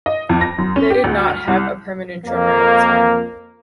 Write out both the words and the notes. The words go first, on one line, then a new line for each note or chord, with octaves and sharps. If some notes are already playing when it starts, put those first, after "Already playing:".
They did not have a permanent drummer at the time.
D#5
F2
A#6
F#2
C#4
G4
D2
F6
C2
F2 A#3